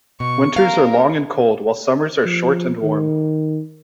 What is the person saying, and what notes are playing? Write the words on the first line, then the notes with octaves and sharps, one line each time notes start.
Winters are long and cold, while summers are short and warm.
B2 C#6
A#4 F5
F3
D#3